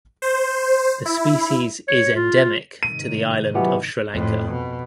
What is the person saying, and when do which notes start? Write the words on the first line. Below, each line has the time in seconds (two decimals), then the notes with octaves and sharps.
The species is endemic to the island of Sri Lanka.
0.22 C5
1.05 E4
1.88 C#5
2.16 F4
2.83 G#2 C3 D#3 D#7
3.55 B2 E3 F#3 F4 G4 F#5
4.13 F2 A2
4.50 B2